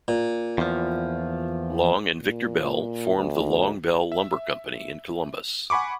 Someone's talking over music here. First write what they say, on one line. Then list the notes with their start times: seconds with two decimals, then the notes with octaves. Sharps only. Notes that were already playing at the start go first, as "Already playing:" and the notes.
Long and Victor Bell formed the Long-Bell Lumber Company in Columbus.
0.08 A#2
0.58 E2 F3
2.20 A#2
3.16 D2
4.12 E5
5.70 F#5 G#5 B5 C#6 D6